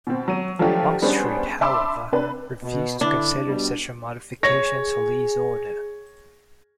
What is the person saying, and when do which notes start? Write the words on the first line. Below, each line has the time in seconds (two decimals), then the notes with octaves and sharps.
Longstreet, however, refused to consider such a modification to Lee's order.
0.07 B2 C4
0.28 F#3 D#7
0.59 F3 F#3 A3 D4 F4 G4
1.02 G3 B3 C#4 D4 G#4 C5
1.61 E5 A5 B5 C6 D6 E6
2.12 C3 D4 B4
2.63 B2
3.01 D3 D4 E4
3.46 B2 G3
4.43 G#4 C#5 A#6